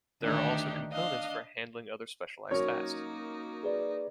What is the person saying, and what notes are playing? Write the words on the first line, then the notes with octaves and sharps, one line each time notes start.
There are also components for handling other specialized tasks.
D2 D#3 D4 D#4 G4
D4 D#5 F5
F#3 A#3 C#4 D#4 A#4 C#5
G#4 B4 D5